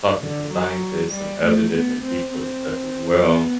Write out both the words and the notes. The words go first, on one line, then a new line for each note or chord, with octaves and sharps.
talking to scientists and other different people and stuff as well
D3
F#3
G3
A3
B3
C4
C4
B3